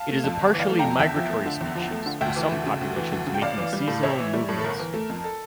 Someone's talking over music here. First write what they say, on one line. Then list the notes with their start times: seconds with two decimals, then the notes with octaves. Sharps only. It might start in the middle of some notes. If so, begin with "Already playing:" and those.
It is a partially migratory species, with some populations making seasonal movements.
Already playing: F5 A5
0.09 A3
0.24 F2
0.39 G1
0.54 E3
0.59 D5 F5
0.70 A3
0.79 G5 A#5
0.84 F2
0.99 E2 E5 G5
1.16 F3
1.30 A3
1.46 D3
1.61 E2
1.75 F3
1.91 A3
2.06 D3
2.21 D2 E5 G5
2.36 E3
2.52 D2
2.66 C#3
2.81 D2
2.96 E3
3.12 D2
3.27 C#3
3.34 G5
3.42 A1 D5 F5
3.58 E3
3.73 G3
3.88 A2
4.03 A1 C#5 E5
4.18 E3
4.33 G3
4.49 A2
4.59 A4
4.64 G1 A#4
4.79 E3
4.94 A3
5.10 F2
5.24 A4